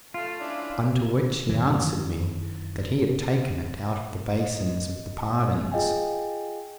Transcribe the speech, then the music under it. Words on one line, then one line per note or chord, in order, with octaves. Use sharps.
Unto which he answered me that he had taken it out of the basins of the pardons.
A3 F4 F5 A5
C#4 D4 E4
F#2 C3 D#3 E3
D#5
F4 G#4 D#5 F5 G5 G#5